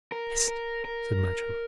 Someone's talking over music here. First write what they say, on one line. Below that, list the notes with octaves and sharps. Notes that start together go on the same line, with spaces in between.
"Hist!" said Matcham.
A#4
A#4
A#4